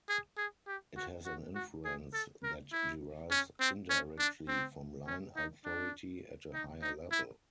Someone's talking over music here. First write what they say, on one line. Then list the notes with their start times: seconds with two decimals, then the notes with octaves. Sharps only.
It has an influence that derives indirectly from line authority at a higher level.
0.09 G#4
0.37 G#4
0.67 G4
0.97 F#4
1.25 F#4
1.55 F#4
1.85 G#4
2.13 A4
2.43 A#4
2.72 E4
3.31 C#4
3.60 C4
3.90 C#4
4.18 D4
4.48 C4
5.07 C#4
5.36 D#4
5.65 D4
6.54 D#4
6.82 D#4
7.11 E4